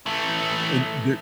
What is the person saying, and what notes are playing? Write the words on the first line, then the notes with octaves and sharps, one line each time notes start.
and there
E3 A3